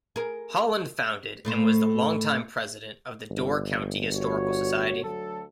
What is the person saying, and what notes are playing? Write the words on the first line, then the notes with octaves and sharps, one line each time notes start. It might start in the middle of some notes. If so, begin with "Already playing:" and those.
Holand founded and was the long-time president of the Door County Historical Society.
G#4 A#4
A2 A3 C5
G1
F#4 C#5
D2 F#3 A4